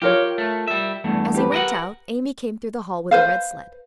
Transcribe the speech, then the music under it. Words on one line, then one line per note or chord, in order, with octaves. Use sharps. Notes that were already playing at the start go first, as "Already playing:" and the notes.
As he went out Amy came through the hall with a red sled.
F4 G4 A#4 C#5
A3
G3 E5
E2 G2 A3
G4 B4
A#4 D#5 F#5
B4 C5 F5